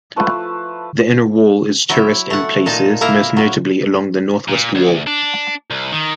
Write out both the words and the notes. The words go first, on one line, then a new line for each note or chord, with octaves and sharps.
The inner wall is terraced in places, most notably along the northwest wall.
F3 A3 B4 A5
F#3 E4
A3 F#5
A#2 D#4 A5
A#3 E4 A#4 F5 A#5
F#3
A#2
D2
D4
C2
D#3